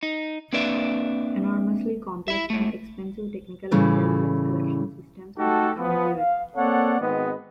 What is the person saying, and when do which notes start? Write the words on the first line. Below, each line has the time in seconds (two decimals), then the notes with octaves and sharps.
Enormously complex and expensive technical intelligence collection systems can be countered.
0.03 D#4
0.53 A#3 C4 D4 B4 D5 E5
2.28 E4 E5
2.50 G#2 A3
3.71 A2 C#3 E3 G3 A3
5.38 A3 D#4 F#4 G4 A4
5.79 F3 B3
6.18 F5
6.56 A#3 C4 A4 C#5 D5 F#5
7.01 G#1 G#2 B3 C4 B4 D#5